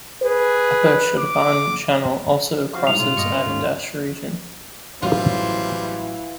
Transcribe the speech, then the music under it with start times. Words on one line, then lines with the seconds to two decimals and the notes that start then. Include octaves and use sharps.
Upper Shirvan Channel also crosses Agdash region.
0.23 G#4 B4
1.19 D6
2.74 F3 F#4 C5 F5
2.87 G#2 G3 E4 F#4 F7
2.99 B2 F4 G#4
3.17 G1 G2 A#2 B3 D#5 C#6
3.32 C#4 B4
3.46 D#2 G#2 A3 C#4
5.02 A1 E3 F#3 G3 F4 C5